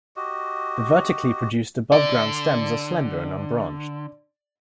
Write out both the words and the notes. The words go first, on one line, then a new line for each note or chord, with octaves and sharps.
The vertically produced above-ground stems are slender and unbranched.
F#4 G4 D#5
D3 D5